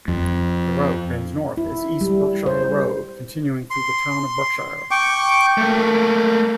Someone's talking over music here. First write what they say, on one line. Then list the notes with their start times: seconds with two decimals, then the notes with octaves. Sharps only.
The route bends north as East Berkshire Road, continuing through the town of Berkshire.
0.08 F2
1.57 E4
2.01 G3
2.46 C5
3.70 C6
4.91 G5 C#6 D6
5.58 A3 A#3